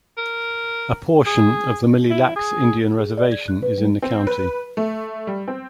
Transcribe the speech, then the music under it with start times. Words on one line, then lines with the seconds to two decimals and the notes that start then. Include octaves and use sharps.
A portion of the Mille Lacs Indian Reservation is in the county.
0.17 A#4
1.26 G#4
2.10 E4
2.36 G#4
2.98 G#4
3.17 D5
3.32 G#6
3.48 F#6
3.62 B4
3.78 G3
4.02 C4
4.27 B4
4.77 A3
5.27 G3
5.48 C4